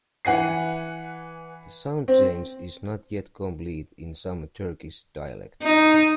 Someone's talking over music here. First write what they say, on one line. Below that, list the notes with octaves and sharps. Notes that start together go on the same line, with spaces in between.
The sound change is not yet complete in some Turkish dialects.
E3 F#5 G#5 C7
C4
D#4